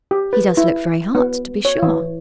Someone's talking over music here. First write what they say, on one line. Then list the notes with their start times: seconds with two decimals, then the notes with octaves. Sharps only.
"He does look very hot, to be sure."
0.11 G4
0.33 B4
0.57 E4
1.15 B3
1.65 C#5
1.83 E3